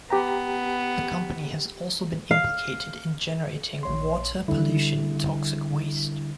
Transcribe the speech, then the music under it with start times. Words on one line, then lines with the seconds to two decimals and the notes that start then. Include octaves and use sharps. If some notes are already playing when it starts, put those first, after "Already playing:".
The Company has also been implicated in generating water pollution and toxic waste.
0.10 B3 G4 G5 A#5
2.31 F5
3.83 A#1 C#5 C6
4.48 D3 G3 E4